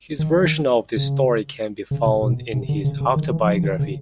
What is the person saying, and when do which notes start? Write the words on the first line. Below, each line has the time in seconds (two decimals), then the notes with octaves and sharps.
His version of the story can be found in his autobiography.
0.19 D#3
0.97 C#3
1.91 C#3
2.06 C3
2.22 B2
2.53 C3
2.69 D3
2.84 C#3
3.01 C#3
3.16 D#3
3.32 E3
3.47 F3
3.63 D#3
3.79 C#3